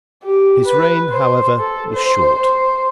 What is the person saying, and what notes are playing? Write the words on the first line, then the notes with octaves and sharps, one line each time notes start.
His reign, however, was short.
G4
B4
C5
A4
C5
C5